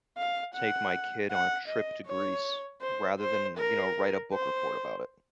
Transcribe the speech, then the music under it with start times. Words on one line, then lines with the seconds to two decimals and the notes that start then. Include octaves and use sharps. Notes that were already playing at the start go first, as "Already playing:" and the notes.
take my kid on a trip to Greece rather than, you know, write a book report about it.
0.17 F5
0.55 F#5
1.31 F#5
1.68 D#5
2.07 C#5
2.81 C5
3.19 C5
3.57 A#4
4.33 C5